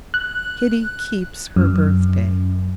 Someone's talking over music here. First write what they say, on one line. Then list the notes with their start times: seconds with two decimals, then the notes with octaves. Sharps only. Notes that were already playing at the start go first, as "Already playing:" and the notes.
Kitty Keeps Her Birthday.
0.14 F#6
1.56 F#2